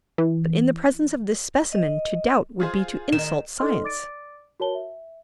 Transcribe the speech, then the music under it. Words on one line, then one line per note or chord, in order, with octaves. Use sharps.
But in the presence of this specimen to doubt would be to insult science.
E3
D#5
F4 G#4 C5
D#3 E7
D#4 A4 D#5 C6 F6
D5 D6 A6 D7
F#4 A#4 C#5 A5 G7
E5